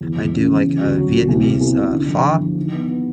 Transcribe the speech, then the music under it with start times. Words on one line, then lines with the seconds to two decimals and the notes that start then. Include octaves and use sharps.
I do, like, uh, Vietnamese, uh, pho,
0.01 E2
0.16 E2
0.33 C#3
0.49 E2
0.64 C#3
0.81 D2
0.97 F#3
1.12 D2
1.28 C2
1.45 C2
1.61 C2
1.76 C2
1.93 D3
2.08 F3
2.24 D3
2.41 F3
2.56 D#3
2.72 B3
2.88 B3